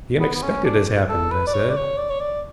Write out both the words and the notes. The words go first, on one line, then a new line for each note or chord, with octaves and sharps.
"The unexpected has happened," I said.
B3
B3
C#4
D4
A4
B4
D5
C#5
D5
C#5
D5
C#5
D5